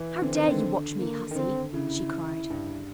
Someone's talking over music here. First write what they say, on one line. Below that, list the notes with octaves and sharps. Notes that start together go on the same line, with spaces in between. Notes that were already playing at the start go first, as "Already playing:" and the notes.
"How dare you watch me, hussy?" she cried.
Already playing: E3
D3 C4
D#3
D3
A#3
D#3
D3 C4
C#3 E4
G2